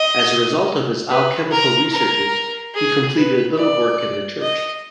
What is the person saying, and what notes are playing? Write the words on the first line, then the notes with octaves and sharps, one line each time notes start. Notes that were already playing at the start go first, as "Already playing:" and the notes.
As a result of his alchemical researches, he completed little work in the church.
Already playing: D#5
B4
A#4
A#4
G#4
B4
D5
D#5